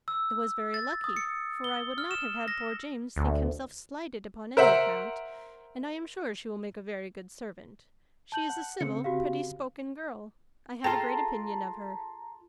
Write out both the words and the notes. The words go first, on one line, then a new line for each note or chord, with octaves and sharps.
It was very lucky, for I would not have had poor James think himself slighted upon any account; and I am sure she will make a very good servant: she is a civil, pretty-spoken girl; I have a great opinion of her.
E6
A6
D#6
C#7
G7
F6
E7
A#6
D2
A#4 C5 E5 F#5
A5 G6 F#7
F#5
C#3 C4 C#7
F#4 G4 F5
F4 G#4 A4 G5 A5 A#5 C6